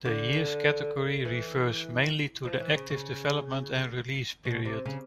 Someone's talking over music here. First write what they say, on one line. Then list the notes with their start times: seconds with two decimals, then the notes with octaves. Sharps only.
The years category refers mainly to the active development and release period.
0.05 D3
1.25 E3
2.45 F3
2.60 E3
2.75 C#3
2.90 C#3
4.45 B2
4.65 C3
4.86 C#3